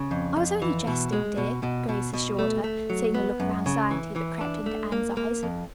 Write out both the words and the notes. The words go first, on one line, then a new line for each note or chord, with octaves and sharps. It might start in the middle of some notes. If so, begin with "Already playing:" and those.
"I was only jesting, dear," Grace assured her, seeing the look of anxiety that crept into Anne's eyes.
Already playing: C#3
F2
F2
E3
B2
G#3
B2
B2
B2
B2
A3
A3
F#3
B3
F#2
C#3
E3
E3
D4
A3
A#3
A#3
F2